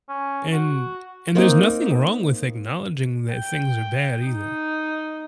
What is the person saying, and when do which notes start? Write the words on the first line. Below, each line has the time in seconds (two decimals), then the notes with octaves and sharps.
and and there's nothing wrong with acknowledging that things are bad, either.
0.09 C#4
0.53 F#4
1.35 A#3 C4 D#4
3.32 G5
4.25 D#4